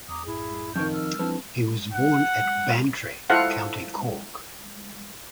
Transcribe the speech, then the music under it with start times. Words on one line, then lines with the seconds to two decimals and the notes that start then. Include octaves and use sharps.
He was born at Bantry, County Cork.
0.09 E2 A#5 D6 D#6
0.26 A#1 F#2 A2 E4 G#4
0.76 F2 D#3 C#6 F6 G6
0.93 E6 F6
1.19 F2 D4 E4 B4
1.94 F#5
3.30 E4 F4 A4 C5 F5 F#5